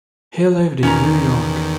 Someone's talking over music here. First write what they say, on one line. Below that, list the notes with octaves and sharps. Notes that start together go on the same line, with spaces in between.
He lived in New York.
E2 D#3 C#4 A#5